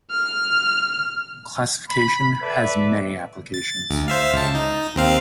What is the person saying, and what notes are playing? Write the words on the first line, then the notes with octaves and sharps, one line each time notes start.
Classification has many applications.
F6
B5
A4 B4 D5 E5
A6
D2
C5 E5 F5
C#2 A5
D#4
D#2 C4 F5